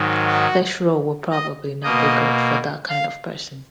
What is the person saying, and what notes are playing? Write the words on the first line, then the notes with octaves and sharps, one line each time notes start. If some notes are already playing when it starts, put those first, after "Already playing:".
This rule will probably not be good for that kind of person.
Already playing: G#2 D#3 F#3
F#4
D#5
B2 A#3 D#5
F5